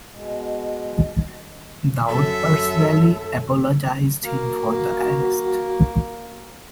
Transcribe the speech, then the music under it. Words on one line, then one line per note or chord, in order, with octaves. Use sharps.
Daoud personally apologized to him for the arrest.
B2 G#3
F#2 A4 E5
A#3 F#4